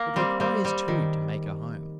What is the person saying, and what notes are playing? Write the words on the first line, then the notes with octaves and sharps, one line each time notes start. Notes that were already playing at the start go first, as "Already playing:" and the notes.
It requires two to make a home.
Already playing: A#3
G3 C4
G3 C4
G3
D#3